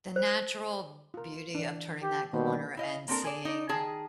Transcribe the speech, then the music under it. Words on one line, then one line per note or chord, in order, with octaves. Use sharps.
the natural beauty of turning that corner and seeing
C5
F4 A#4
E3 D4
G4
B2 D#3 G3 A#3 C5
E4 D#5 F5
A#3 C4 D4 A4 A#4
G#4 D5
D#4 D5
D#3 G#4 A5